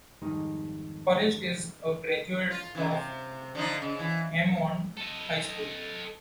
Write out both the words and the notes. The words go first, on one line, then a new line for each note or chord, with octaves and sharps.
Forrest is a graduate of Hammond High School.
F2 G#2 D#3 G3 D#4
F4
C#3 E3
C3
D3 F3 D#4
C#3
E3
A4 D#5